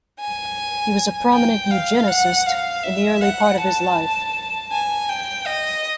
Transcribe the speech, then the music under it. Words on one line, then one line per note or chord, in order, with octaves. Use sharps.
He was a prominent eugenicist in the early part of his life.
G#5
G5
F5
F#5
F5
E5
F#5
A5
G#5
G5
D#5